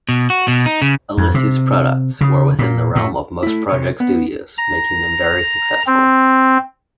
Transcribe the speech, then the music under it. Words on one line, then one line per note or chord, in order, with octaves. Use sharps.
Alesis' products were within the realm of most project studios, making them very successful.
B2
F#4
B2
D#4
C#3
F2
C3
C#3
A#2
A2
A3 E4
C3 C#5
B3
A#5
C4